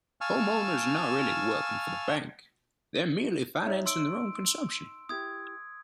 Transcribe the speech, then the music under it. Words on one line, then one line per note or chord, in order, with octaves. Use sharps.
Homeowners are not really "working for the bank"; they're merely financing their own consumption.
F5 G#5 A5 C#6 E6 F6
D#4 C#5 E5
C6 E6 D7
E4 G4 D#6 G#6